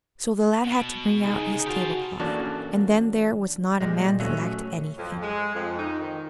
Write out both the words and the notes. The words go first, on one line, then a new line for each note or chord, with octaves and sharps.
So the lad had to bring out his tablecloth, and then there was not a man that lacked anything.
B2
C#2 C3 D#4 G#4
F#4 G4 C5 F5 A5
E3 A#3 C#4 D4 F#4 A4
A#2 G3 G#3
F#3 A3 C#4
F2
G#3
F2
D#4
D#3